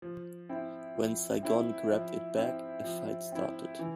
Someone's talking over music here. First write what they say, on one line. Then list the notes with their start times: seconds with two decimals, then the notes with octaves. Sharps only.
When Saigon grabbed it back, a fight started.
0.02 F3
0.49 C4 E4
0.95 F3
1.43 C4 E4
1.90 F3
2.38 C4 E4
2.84 F3
3.32 C4 E4
3.79 E3